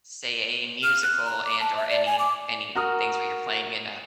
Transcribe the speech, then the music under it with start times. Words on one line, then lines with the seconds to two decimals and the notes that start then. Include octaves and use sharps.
say, a musical and or any any things where you're playing in a
0.83 F6
1.03 F#6
1.26 A#5
1.44 D6
1.60 A5
1.77 E5
1.90 D5
2.06 G#5
2.19 D6
2.75 F#4 A#4 A#5 D#6 F6